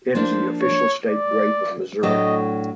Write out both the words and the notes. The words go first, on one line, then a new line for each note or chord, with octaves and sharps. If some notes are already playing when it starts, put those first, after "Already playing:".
It is the official state grape of Missouri.
F3 A#3 D4 C5
C#5
D5
A2 F#3 A3 D4 F#4 D#5